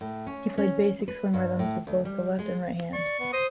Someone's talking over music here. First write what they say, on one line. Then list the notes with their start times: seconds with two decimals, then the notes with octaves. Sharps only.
He played basic swing rhythms with both the left and the right hand.
0.01 A2
0.27 C#4
0.58 C#4
1.08 B4
1.34 G2
1.59 A2
1.87 D2
2.05 G3
2.39 G#3
2.93 D5 C#6
3.20 B3
3.33 C5 D#6